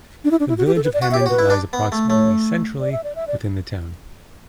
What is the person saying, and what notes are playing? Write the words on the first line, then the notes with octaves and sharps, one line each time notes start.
The Village of Hammond lies approximately centrally within the town.
D4
E4
D4
E4
F#4
G4
A4
B4
D5
F#4 F#5
E5
G4
C#5
F#4
B4
E4
D4
B3
A3
A3 C#5
D5
E5
D5
E5
D5